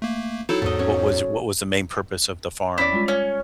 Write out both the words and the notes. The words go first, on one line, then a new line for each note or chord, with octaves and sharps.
what was what was the main purpose of the farm?
A3 A#3
F#3 D#4 E4 A4 G5 A5
E2 G#2 A4 D#5
C#4
C#4 E4 D5
G3 G#3 F4
C#4 C#5